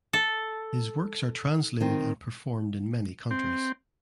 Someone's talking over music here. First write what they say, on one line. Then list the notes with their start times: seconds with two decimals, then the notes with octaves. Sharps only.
His works are translated and performed in many countries.
0.13 A4
1.80 D#3 C4
3.31 C4